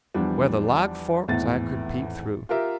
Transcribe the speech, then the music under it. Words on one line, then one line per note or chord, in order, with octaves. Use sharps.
Where the log forked I could peep through.
E2 E3 F3 G3 D4
G#1 E2 A2 E3 A6
F4 G4 A#4 E5